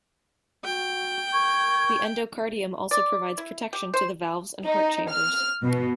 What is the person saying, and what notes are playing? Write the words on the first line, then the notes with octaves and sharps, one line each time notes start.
The endocardium also provides protection to the valves and heart chambers.
F#4 G5
A#4 C#6 G#6
D5
E4
G4
C5
D#4
F6
B2